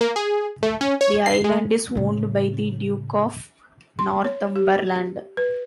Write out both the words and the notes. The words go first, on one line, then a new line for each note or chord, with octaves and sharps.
The island is owned by the Duke of Northumberland.
A#3
G#4
A3
C#4
C#5
C7
G#3
A2 C#3
C6
C#5
G4
B4